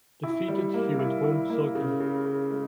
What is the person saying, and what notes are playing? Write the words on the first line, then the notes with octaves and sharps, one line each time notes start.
Defeated, she went home sulking.
E4
G3
A#3
E4
E4
A#3
C#3
C#3
C#3
G#3